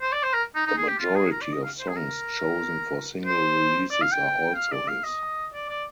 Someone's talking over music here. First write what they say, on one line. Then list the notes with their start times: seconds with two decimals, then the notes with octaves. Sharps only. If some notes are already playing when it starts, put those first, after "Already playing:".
The majority of songs chosen for single releases are also his.
0.01 C5
0.12 D5
0.23 C5
0.34 A#4
0.55 D#4
0.66 D#4
0.77 G#4
0.88 G4
0.99 F4
1.15 G#4
1.31 A#4
1.42 D5
1.53 D#5
1.63 F5
1.80 C5
1.88 G#4
1.96 A#4
3.25 C5
3.91 D5
4.02 F5
4.12 G5
4.55 F5
4.72 D5
4.88 F5
5.04 D#5
5.53 D5
5.69 D5